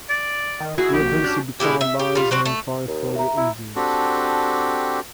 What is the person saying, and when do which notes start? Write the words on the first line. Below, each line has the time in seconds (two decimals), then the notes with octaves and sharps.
They eventually become allies and fight for the Indians.
0.09 D5
0.60 D#3
0.78 E4 F#4 G#4
0.94 A#1 G4
1.24 C#4 D4
1.60 B2 G#3 E4 G4
1.81 E5
1.99 G4
2.15 G3 F4
2.31 F#3 C4 F#4
2.45 A3
2.87 D#2
3.16 E5 A#5
3.37 E4
3.76 C4 D4 F#4 G4 A4